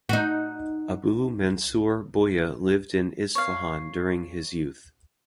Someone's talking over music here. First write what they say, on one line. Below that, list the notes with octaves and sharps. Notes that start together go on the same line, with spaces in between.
Abu Mansur Buya lived in Isfahan during his youth.
D#4 F#4
C#5 F5